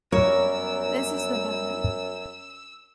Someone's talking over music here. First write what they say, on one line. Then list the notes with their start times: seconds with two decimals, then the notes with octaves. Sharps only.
This is the donut.
0.12 F#2 G3 B3 A#4 C#5 E6